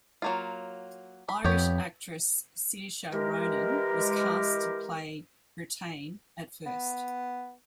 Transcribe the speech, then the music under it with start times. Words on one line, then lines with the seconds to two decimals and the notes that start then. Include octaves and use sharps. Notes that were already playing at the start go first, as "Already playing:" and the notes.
Irish actress Saoirse Ronan was cast to play Brittain at first.
0.22 F#3 A#3 F4
1.29 B5
1.44 F2 B3 G4 C#5
3.12 E3 G#3 G4 A#4
6.66 B3